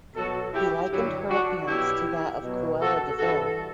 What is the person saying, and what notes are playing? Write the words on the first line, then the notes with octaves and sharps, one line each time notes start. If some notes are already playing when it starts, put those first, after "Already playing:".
He likened her appearance to that of Cruella de Vil.
B2 F#3 F#4 A4
E4 G4
G2 D3 F#3 E4 G4
D4 F#4
B2 F#3 E4 G4
B2 F#3
F#4 A4
G2 E3 F#4 A4